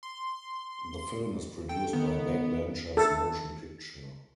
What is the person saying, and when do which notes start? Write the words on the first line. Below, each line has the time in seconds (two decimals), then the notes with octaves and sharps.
The film is produced by Back Benchers Motion Picture.
0.03 C6
1.69 A4 G5
1.93 D#3 B3
2.97 A4